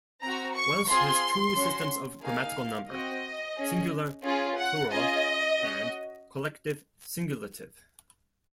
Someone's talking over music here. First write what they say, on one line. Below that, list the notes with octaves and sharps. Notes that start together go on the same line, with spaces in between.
Welsh has two systems of grammatical number, singular-plural and collective-singulative.
C4 F#4 A#5
C#6
C4 F4 G#4 C6
C#4 F#4
A#3 D#4 G#4 F5
C4 F#4 D#5
C#4 G#4
C#4 F4 G#4
F#5
C#4 F4 G#4 D#5
C#4 F#4